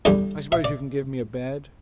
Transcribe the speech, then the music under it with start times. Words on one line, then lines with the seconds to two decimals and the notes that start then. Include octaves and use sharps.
I suppose you can give me a bed.'
0.05 E2 D3 G3 D5
0.52 E5
0.64 D5